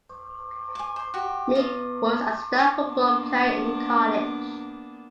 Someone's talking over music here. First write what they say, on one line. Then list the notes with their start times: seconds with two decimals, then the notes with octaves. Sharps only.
Meek was a star football player in college.
0.75 G#5 D6
0.96 C5
1.14 F#4 G4
1.55 B3 F4 B4 D#5
2.82 A#3 B3 D4